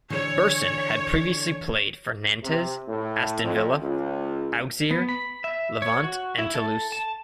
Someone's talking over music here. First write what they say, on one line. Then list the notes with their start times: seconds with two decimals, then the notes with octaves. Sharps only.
Berson had previously played for Nantes, Aston Villa, Auxerre, Levante and Toulouse.
0.10 D3 E3 C#5
2.43 C3
2.88 A2
3.43 F2
3.80 C#2
4.91 B3
5.09 B5
5.44 E5
5.82 C#5
6.04 F#4
6.39 E4
6.55 A4
6.92 A5